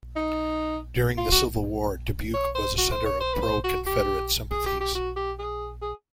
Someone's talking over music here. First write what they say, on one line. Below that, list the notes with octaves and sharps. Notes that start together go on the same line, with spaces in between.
During the Civil War, Dubuque was a center of pro-Confederate sympathies.
D#4
F4
F#4
C#5
C5
F#4
C5
C#5
C5
B4
C5
F#4
G4
G#4
G4
G4
F#4
G4
G#4
G#4